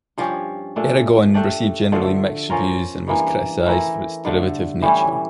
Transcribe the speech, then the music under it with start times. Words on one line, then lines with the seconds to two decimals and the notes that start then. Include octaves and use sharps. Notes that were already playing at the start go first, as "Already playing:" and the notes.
"Eragon" received generally mixed reviews and was criticized for its derivative nature.
0.18 G2 F3 C#4 G4
0.76 A#2 A3 D4
1.34 A3 D4 G4 D5
1.92 D3 F3 A3
2.50 F3 C#4 F4 A#4
3.08 G2 E3 A#3
3.66 E3 A3 E4 A#4
4.25 G2 D3 A3
4.82 A2 E3 G3 C#4